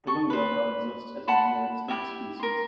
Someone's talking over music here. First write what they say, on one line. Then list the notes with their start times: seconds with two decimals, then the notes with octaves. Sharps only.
The Lungdo now exist as a near-extinct species.
0.07 A4 C#6
0.30 B4 C5
1.27 F#5 A5 B5 C6
1.88 E4 F#4 G4 E5
2.40 A#4 C6